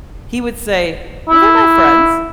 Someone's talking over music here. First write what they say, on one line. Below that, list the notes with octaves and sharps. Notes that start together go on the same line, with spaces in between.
He would say, "Well, they're my friends."
E4